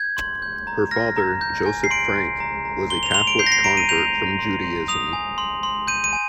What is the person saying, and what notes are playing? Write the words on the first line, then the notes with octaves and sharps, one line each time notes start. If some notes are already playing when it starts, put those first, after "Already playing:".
Her father, Josip Frank, was a Catholic convert from Judaism.
Already playing: G6 G#6
C6
G6
A#5
F6 A#6
A#5
G6
G#5
C7
C6 D7
C6
A#5
A#5
C6 G7
F7
G7
C6 F7
D7
G6 C7
A#6
C7
A#5 D7
D#7
G6 F7
A#5
C6
C6
D#6 F7
G#5
C6
C6
G6 D#7
D#7
G#5